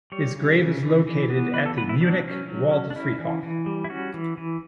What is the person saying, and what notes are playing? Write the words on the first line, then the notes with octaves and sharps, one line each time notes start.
His grave is located at the Munich Waldfriedhof.
G3 C#5
C#3
C#3
E3
E3
B3
E3 B4
A4
B3 B4
E4
F#3 D4
C#4
F#3
C#4
D4
C#4 E4
E3
E3
G3
E4
C#4 F#4
E3
E3